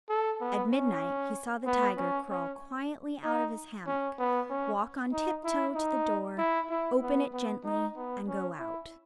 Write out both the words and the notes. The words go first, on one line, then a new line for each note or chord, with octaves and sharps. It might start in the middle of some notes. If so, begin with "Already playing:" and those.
At midnight he saw the tiger crawl quietly out of his hammock, walk on tip toe to the door, open it gently, and go out.
A4
B3
C#4
B3
C#4
C#4
D#4
C#4
B3
C#4
D#4
E4
D#4
E4
E4
B3
B3
D#4
B3
C#4
E4